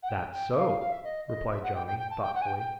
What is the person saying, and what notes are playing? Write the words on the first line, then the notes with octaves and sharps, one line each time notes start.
"That's so," replied Johnny thoughtfully.
F#5
G5
G5
F5
F5
F5
E5
D#5
D#5
E5
F#5
G5
G5
G5
A5
G5
F#5
G#5
G5
G5